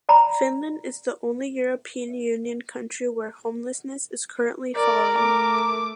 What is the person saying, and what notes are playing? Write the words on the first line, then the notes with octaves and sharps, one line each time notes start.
Finland is the only European Union country where homelessness is currently falling.
D5 A#5 B5
A#4 D5
A3 D6